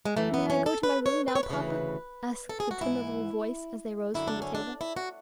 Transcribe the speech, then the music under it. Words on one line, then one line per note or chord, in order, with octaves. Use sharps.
"May I go to my room now, papa?" asked the timid little voice as they rose from the table.
G#3
F#2 E3 A3
B3
C#4
A4
B4
C#5
B4
C#5
B4
D2 C#3 E3
A4
G#4
F#4
G#2 E3 E4
F#2 D3 E4
D4
C#4
D4
E4
F#4